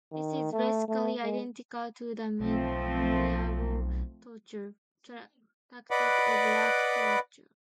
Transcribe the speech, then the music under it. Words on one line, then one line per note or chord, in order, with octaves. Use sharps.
This is basically identical to the medieval torture tactic of "rack torture".
D#3
A3
A3
G#3
B1 F3 A3 C4
B4 D5 D#5 F#5 B5 D6